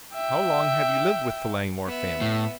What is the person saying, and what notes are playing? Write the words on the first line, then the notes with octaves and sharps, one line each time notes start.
"How long have you lived with the Langmore family?"
E5 G5
B3 E5
A2